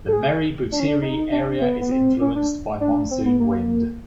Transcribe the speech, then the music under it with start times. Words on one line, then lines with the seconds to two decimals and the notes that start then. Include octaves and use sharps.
The Meru Betiri area is influenced by monsoon wind.
0.08 A4
0.13 G#4
0.72 D4
0.80 C#4
0.88 D4
1.02 D#4
1.32 D4
1.61 B3
1.81 B3
1.91 C4
2.21 C#4
2.36 D4
2.80 D4
3.11 C4
3.26 B3
3.40 A#3